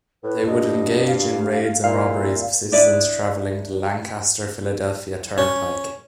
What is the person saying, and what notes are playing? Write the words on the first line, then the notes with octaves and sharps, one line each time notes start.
They would engage in raids and robberies of citizens traveling the Lancaster Philadelphia Turnpike.
A2 B4
G2 D#5
F5
A#2 E4 F5
D4 E4 D5 D#5
C#4